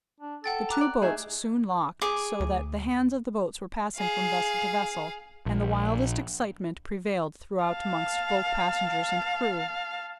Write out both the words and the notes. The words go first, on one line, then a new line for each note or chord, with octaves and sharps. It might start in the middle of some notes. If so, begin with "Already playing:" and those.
The two boats soon locked, so that the hands of the boats were passing from vessel to vessel, and the wildest excitement prevailed throughout amongst both passengers and crew.
D4
A4 F#5 G5 A6
A#5 D6 F#6
D5
A3 D#4 G#4 E5
G#4 D6
D2
G#4 F5
A#1
F5 A5